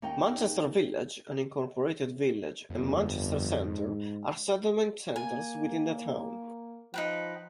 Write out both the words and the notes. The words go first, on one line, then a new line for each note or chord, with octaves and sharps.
Manchester Village, an incorporated village, and Manchester Center are settlement centers within the town.
D#2 C#4 D#4 A#4 G5
G1 F2
G#2
A#3 G#5
F3 D#4 B4 G5